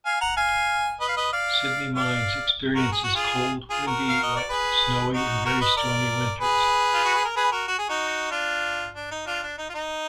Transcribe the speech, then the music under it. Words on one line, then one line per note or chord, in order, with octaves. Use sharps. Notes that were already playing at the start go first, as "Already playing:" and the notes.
Sydney Mines experiences cold, windy, wet, snowy and very stormy winters.
F5 G#5
F#5 A#5
F5 G#5
B4 D#5
F5
B4 D#5
D5 F5
D5 F5
F#4 A#4
G#4
F#4
F4 G#4
F4 G#4
F#4 A#4
F5
D#5
D5
G#4 B4
D#4 F#4
F#4 A#4
B4 D#5
A#4 D5
G#4 B4
F4
F#4
G#4
A#4
G#4 B4
F#4 A#4
F#4
G#4
D#4 F#4
D4 F4
D4
D#4
D4 F4
D4
D#4
F4
D#4